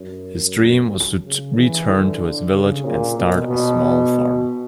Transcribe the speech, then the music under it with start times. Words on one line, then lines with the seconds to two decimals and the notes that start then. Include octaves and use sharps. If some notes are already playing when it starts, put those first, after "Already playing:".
His dream was to return to his village and start a small farm.
Already playing: F#2
1.25 C#3
1.56 E3
1.88 D3
2.53 C#3
2.85 A#2
3.17 B2
3.48 B2